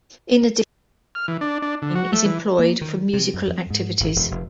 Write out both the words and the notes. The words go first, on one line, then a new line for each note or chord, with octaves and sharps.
In addition, a separate wing is employed for musical activities.
F6
E3
D4
D4
D3
F#4
A3
E3
A#3
D#3
C3
F#2
F2
G#2
G#1
E1
F1